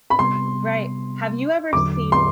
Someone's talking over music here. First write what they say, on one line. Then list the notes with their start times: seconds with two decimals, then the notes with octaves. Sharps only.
Right, have you ever seen
0.10 B5
0.19 C3 G3 B3 C6
1.73 E2 D3 F#3 D6
2.12 C6